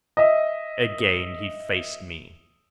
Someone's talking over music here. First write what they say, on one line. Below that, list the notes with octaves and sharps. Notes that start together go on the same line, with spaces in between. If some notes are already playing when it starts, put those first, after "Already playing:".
Again he faced me.
D#5 E5